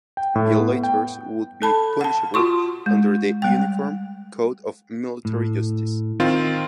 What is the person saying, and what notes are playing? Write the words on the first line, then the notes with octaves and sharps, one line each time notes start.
Violators would be punishable under the Uniform Code of Military Justice.
G5
A2
B3
G5
A4 A5 B5
F#5 A5
F4 F#4 C6 C#6
G#3
G3 G5
A2
D#3 C4 F4